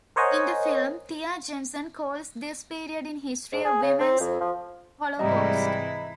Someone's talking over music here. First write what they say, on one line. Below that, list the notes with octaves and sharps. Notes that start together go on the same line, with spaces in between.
In the film, Thea Jensen calls this period in history a "Women's Holocaust".
A#4 C5 C#5 D#5 F#5 G#5
G#2
G#4
C#3
C4
F2
F3
G#2 C3 E3 G3 G#3 E4 D#5 A#5